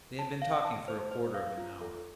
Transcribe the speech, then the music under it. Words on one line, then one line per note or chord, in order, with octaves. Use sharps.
They had been talking for a quarter of an hour.
A5
F5
A5
C5
C5
F5
F4
A4